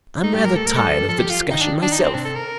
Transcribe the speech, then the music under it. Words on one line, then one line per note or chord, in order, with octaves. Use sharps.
"I'm rather tired of the discussion myself."
A3 D#4
G3 G4
G3 A#4
A3 A4
A3 A#4
G3 A4
F3
G3
F3 A4
G4
F4
D#3 D#4
D4
D4
D#4
C4
C3 D4
A4
A#4